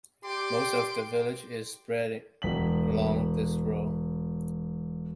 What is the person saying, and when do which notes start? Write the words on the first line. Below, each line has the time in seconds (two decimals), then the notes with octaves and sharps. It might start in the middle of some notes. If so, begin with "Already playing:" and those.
Most of the village is spread along this road.
0.25 G4 D5 G5 C6 D6 D7
2.42 E1 B6 F#7